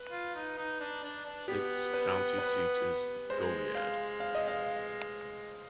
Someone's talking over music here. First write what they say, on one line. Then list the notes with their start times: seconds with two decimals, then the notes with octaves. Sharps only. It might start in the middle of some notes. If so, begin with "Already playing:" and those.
Its county seat is Goliad.
Already playing: B4
0.12 F4
0.35 D#4
0.58 D#4
0.80 D4
1.03 D4
1.25 D4
1.48 B3 G4
1.93 B4
2.38 B4
3.29 G#3 C5
3.75 F5
4.20 F5
4.35 D#5
4.48 F5